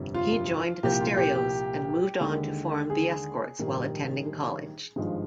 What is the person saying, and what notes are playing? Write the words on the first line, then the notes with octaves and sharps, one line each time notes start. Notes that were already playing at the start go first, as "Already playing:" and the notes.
He joined The Stereos, and moved on to form The Escorts, while attending college.
Already playing: G1 F2 C3 G3
F4
C2 A#2 F3 G4
F4
G4
G4
D#2 D3 G#3
G#4
A#1 G#2 D#3 G3
G#1 G2 F3 G#3